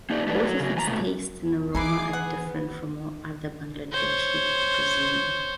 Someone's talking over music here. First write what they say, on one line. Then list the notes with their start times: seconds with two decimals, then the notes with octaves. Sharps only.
Both of its taste and aroma are different from all other Bangladeshi cuisine.
0.10 A#3 D#4 G4 D5
0.27 A3 G4 A4 B4 D5
0.45 F#3
0.60 C#3 F#3
0.76 E2 G#5 A#5
0.87 G#2 B2 A3
1.40 E2
1.75 E3 D#4 E4 G#4 B4 D6 C7
2.13 B3 F#5
3.92 C5 C#5